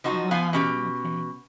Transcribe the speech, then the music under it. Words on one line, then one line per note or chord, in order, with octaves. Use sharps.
Wow, okay.
F3 D#4 F#4
B3 F5 G#5
B2 C#4 G4